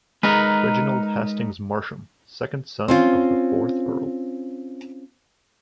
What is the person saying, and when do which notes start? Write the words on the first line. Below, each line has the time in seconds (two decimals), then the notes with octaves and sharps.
Reginald Hastings Marsham, second son of the fourth Earl.
0.23 G#3 D#4 A#4 B4 A#5
2.88 C4 C#4 F4